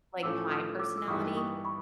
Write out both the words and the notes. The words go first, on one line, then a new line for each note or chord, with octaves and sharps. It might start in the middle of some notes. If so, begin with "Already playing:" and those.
like, my personality,
A2 F3 A3 C#4 D6 E6
D#6 F6
D6 E6
E6
G2 E3 G3 B3 D#4 C#6 D#6
C#6 D#6
B5 C#6